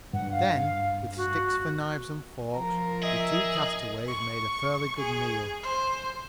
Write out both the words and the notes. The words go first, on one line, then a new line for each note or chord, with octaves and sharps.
Then, with sticks for knives and forks, the two castaways made a fairly good meal.
G2 F#5
F5
F#4
F3 A#4 A#5
G#4 D#5 E5
C#6
G#4
C5